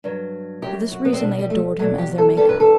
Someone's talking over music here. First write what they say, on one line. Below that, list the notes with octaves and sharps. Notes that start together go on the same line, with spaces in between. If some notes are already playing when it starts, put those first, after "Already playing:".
For this reason they adored him as their maker.
G2 F#3
F#2 F#3 G4
F#4
B3
C4
B2 G3 D4
G3
A3
E2 B2 F#3 A3
G4
A4
G2 E3 G3 A4
B4
A4